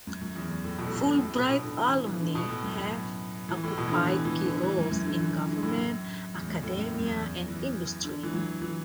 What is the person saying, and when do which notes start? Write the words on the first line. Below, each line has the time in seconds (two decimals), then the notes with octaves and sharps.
Fulbright alumni have occupied key roles in government, academia, and industry.
0.07 F#2
0.21 F#2
0.36 E2
0.50 F#2
0.64 A2
0.78 B2
0.86 A2
0.92 B2
1.07 A2
1.15 F#2
1.21 A2
1.35 B2
1.49 B2
1.63 D3
1.78 E3
2.07 E3
2.21 D3
2.35 B2
2.49 A2
2.63 F#2
2.78 F#2
3.49 E3
3.63 A2
3.78 B2
3.88 E3
3.92 D3
4.06 E3
4.25 E3
4.44 D3
4.63 E3
4.77 F#2
4.92 F#2
5.06 D3
5.20 E3
5.34 E3
5.49 D3
5.63 A2
5.77 F#2
6.34 E2
6.49 F#2
6.63 A2
6.77 F#2
6.91 E2
6.99 F#2
7.06 E2
7.48 E3
8.05 D3
8.23 E3
8.33 F#3
8.62 E3